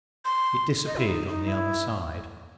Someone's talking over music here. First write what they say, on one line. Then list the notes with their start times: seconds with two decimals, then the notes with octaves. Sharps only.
It disappeared on the other side.
0.25 C6
0.86 D#5
0.97 E4
1.07 D#4
1.27 D#4
1.48 E4